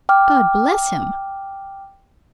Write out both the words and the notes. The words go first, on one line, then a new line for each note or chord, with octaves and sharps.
God bless him!
G5 D6 F6